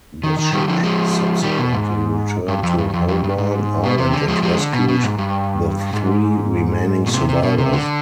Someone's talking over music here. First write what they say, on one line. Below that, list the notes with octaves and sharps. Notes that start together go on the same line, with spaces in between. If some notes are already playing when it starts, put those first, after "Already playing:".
The ship subsequently returned to Holbourne Island and rescued the three remaining survivors.
D#3
D#3
D#3 G3
D3 F3
F3 G#3
D#3 G3
B2
G#2
G2
F2
G2
F2
F2
G2
G#2
B2
C3
D3
F3 G#3
F3 G#3
D3
B2
B2
G#2
G2
G#2
B2
C3
C3
B2
C3
D3